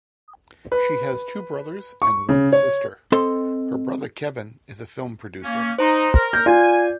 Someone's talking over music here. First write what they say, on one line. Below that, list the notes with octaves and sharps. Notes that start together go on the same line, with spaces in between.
She has two brothers and one sister; her brother Kevin is a film producer.
B4
C#6
C#3
C#5
C4 A4 D#5 C6
A#3 C#4
D#4 C5 A#5 C6
A#4
G6
F4 D5 G#5